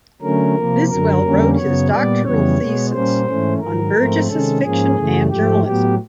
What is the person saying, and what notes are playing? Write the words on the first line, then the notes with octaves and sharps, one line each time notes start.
Biswell wrote his doctoral thesis on Burgess's fiction and journalism.
D3 F#3 A3 C#4 A#4
C3 F3 A#3
F#2 D3 F#3 A#4
F2 D3 G3 A#3 C#4
F#2 C#3 F#3 B3 C#5
A#2 G3 B3 D5
F2 C#3 E3 G3 B3 C#5
B2 G#3 B3
A#2 G3 A#3 C#4 C5
G#2 E3 A3 C#4
G#2 D#3 F#3 A#4
G#2 F3 A3 C4
C3 D#3 G#3 C#4 A4
G#2 F3 A#3 C#4 G#4
F#2 C#3 E3 A3
G#2 F3 A3 G4
A2 F#3 B3 G4